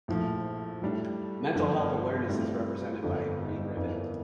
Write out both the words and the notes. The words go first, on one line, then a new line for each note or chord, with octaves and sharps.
Mental Health Awareness is represented by a green ribbon.
A#1 A2 F3
A2 G3 D4
G1 G2 D3 F3
A2 G3 C4
G1 F2 D3
G1 F2 E3 A#3 D4